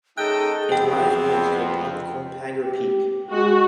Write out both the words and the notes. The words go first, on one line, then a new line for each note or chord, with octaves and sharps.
It lies west of Uncompahgre Peak.
A3 C#4 D#4 G#4 A4 D#5 G5 F#6
F2 B3 C4 G5
G4
G#3 F#4